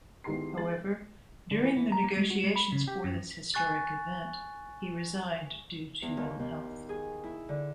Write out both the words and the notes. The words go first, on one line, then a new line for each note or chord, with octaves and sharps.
However, during the negotiations for this historic event, he resigned due to ill health.
E2 D#3 G#3 G4 C6 C7
G#3 A6 F#7
D3
E3
E3
A#5
A#3
G#3
F#4
G#3
B5
C#3
G4
F#2
G#5 C#6 F#6 A6
E2
D#2
D#2
G#4
E4
D3